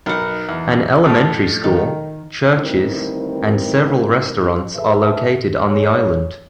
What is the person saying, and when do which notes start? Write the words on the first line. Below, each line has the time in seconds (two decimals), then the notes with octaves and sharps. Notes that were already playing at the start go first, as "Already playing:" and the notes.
An elementary school, churches, and several restaurants are located on the island.
0.06 B1 D#4 A#4 F#5
0.49 E2
1.04 F2 A2 A3
1.64 D#3
2.55 D2 G2 D#3 C4 E4 A#4
4.75 G#4 A4 B4 E5
5.65 G#4 C#5